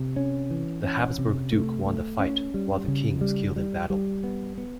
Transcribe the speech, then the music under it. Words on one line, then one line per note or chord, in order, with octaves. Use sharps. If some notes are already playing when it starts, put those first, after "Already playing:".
The Habsburg duke won the fight, while the king was killed in battle.
Already playing: C3
C#4
E3
C#4
C3
A3
A3
C#4
G3
C#3
G3
G3
G3
B3
B3